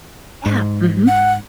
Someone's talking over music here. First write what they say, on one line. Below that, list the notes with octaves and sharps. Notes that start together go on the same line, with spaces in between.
Yeah. Mhm.
G#2
F#5